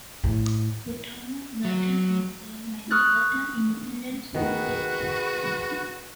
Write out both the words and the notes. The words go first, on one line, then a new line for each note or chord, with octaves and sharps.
The Town of Burton is served by the Burton Independent School District.
A2
F#3
C#6 D#6 F6 F#6 A6
D#3 B3 F#4 G#4 B4